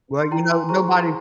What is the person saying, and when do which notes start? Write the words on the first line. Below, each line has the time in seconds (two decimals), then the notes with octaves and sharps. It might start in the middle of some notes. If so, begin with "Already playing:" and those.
Well, you know, nobody
0.21 C6
0.31 E4 G5 A#5
0.50 G#5 C6
0.69 G#4 C5 A#5 C#6
0.88 G#5 C6